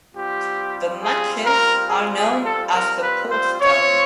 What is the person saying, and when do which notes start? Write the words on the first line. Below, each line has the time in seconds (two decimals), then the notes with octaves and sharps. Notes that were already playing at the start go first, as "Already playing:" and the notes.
Their matches are known as the "Port Derby".
0.15 G3 C4 F4 G4
1.02 G#4
1.44 A#4
1.88 G#4
2.17 G#4
2.44 A4
2.73 A#4
3.02 B4
3.31 C5
3.60 C4 F4 C#5